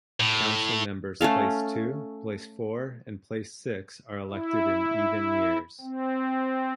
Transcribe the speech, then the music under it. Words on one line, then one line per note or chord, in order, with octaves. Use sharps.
Councilmembers place two, place four and place six are elected in even years.
A2
A3 C#4 A4 F5
E4
C4